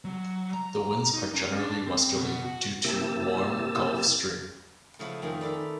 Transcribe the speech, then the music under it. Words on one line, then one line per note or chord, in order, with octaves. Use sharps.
The winds are generally westerly, due to warm Gulf Stream.
F#3
A#5
D#4
C#4
D4
C4
B2
F#4
C3 A#3 E4 G4 A5 E6
C#3 F3 A3 E4 C#5 F#5
F2 D#3 A3 C#4 F4 G#4
D#3 A4 B4 D5